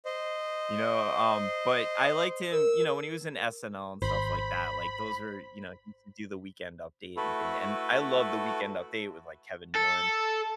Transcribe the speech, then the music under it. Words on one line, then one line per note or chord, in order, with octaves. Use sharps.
you know, um, but I liked him, you know, when he was in SNL and stuff like that, like, those are you know, he used to do the Weekend Update and thing and I love the Weekend Update with, like, Kevin Nealon,
C5 D#5
A#4 E6
G#1 C5 B5
A3 E4 F#4 A4 B4
A4